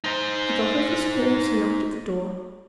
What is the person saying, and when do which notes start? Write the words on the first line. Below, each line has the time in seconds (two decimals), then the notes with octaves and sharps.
He got off his horse and knocked at the door.
0.04 D#4 C5